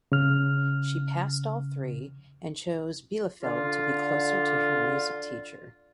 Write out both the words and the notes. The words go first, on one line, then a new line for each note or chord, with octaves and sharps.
She passed all three and chose Bielefeld to be closer to her music teacher.
C#3 F6
D3 F4